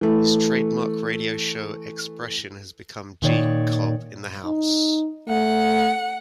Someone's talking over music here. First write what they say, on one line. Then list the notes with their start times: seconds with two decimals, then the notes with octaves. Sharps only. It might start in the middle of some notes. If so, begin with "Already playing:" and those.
His trademark radio show expression has become G Cobb in the House!
0.01 E3 A3
3.22 A#2 D#3 C#5 D5
4.45 D#4
5.28 A3 F#5